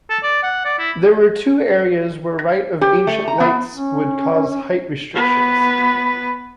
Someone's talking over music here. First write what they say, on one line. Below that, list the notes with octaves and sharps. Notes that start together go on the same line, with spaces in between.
There were two areas where right of ancient lights would cause height restrictions.
A4
D5
F#5
D5
E4
G4
A3
A#5
B3
C#4
B3 B4